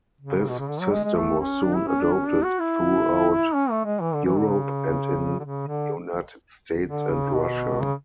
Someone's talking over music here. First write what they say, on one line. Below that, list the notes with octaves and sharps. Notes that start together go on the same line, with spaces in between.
This system was soon adopted throughout Europe, and in the United States and Russia.
C#3
B2
C#3
D3
F#3
G#3
G#3
A3
C#4
D4
E4
C#4
D4
C#4
D4
F#4
E4
C#4
A3
G#3
E3
D3
E3
D3
C#3
D3
C#3
D3
D3
C#3
B2
C#3